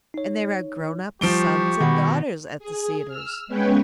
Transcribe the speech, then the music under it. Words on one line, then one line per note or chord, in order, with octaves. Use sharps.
And there are grown-up sons and daughters at the Cedars.
D#4 C#5
F3 G3 G4 C#6 D7 G7
B2 D#3 D#4 F#5 B5
G#4
E6 F6
G#3 B3 C#4 B4 C#5 G5